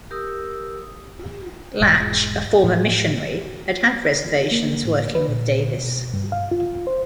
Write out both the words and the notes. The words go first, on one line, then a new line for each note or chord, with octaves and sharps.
Latch, a former missionary, had had reservations working with Davis.
G4 A#4 D#6 E6
E1 G#2 G#3
A2
A#3
A2
B4
A#2
B2
G2
F5
F4
C5